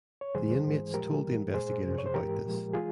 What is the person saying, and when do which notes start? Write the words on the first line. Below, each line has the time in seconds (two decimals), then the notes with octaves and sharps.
The inmates told the investigators about this.
0.21 C#5
0.34 F2 C#3 E3 G3 G#4 C5
0.65 G#2 E3 G#3
0.94 A#2 F3 G#3 G4 A#4
1.24 G#2 E3 G3
1.54 A#2 G#3 G#4 C5
1.84 F2 C3 F3
1.98 C#5
2.06 C5
2.14 G#2 E3 G#3 G4 A#4
2.44 A#2 F3 G#3
2.73 E3 G#3 F4 G#4